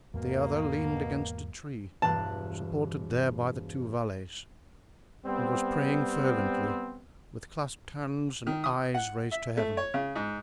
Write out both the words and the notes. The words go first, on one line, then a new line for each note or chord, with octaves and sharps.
The other leaned against a tree, supported there by the two valets, and was praying fervently, with clasped hands and eyes raised to Heaven.
E2 G#2 B2 A#3 B3
E1 G2 A5 F#6
G3 B3 C4
D#3
D#6
F#5
E5
A3
C#5
C#3
G#2